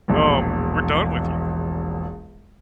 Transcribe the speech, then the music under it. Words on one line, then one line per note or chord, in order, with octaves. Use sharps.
um, we're done with you.
E1 A#1 E2